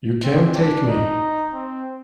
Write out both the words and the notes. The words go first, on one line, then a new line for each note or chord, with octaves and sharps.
You can't take me!
C4
D4
D#4
C4